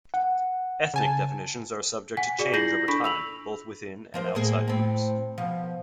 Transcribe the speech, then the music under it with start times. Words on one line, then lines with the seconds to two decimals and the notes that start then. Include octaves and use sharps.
Ethnic definitions are subject to change over time, both within and outside groups.
0.14 F#5
0.94 C#3 G#5 A5
2.17 F#5 G#5 B6
2.39 F#4 G#4 D5
2.53 E4 F4 G6 A#6 C7 F#7
2.88 D4 A4 B5 C#6 B6
3.04 E6 F7 F#7
4.14 F3 A#4 C5
4.35 A2 A#3 G#4
4.68 A2 C4
5.38 B2 F3